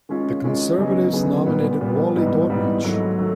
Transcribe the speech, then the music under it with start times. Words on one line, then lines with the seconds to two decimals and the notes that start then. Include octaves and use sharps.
The Conservatives nominated Wally Daudrich.
0.09 D#3 G#3 C#4 F4
0.44 D#3 G#3 C#4 F4
0.78 C#3 F#3 B3 D#4 G#4
1.12 C#3 F#3 B3 D#4 G#4
1.46 A#2 G3 B3
1.81 A#2 G3 B3
2.15 G#2 E3 G3 B3 D#4
2.49 G#2 E3 G3 B3 D#4
2.83 G#2 D#3 F#3 A3
3.18 D#3 F#3 A3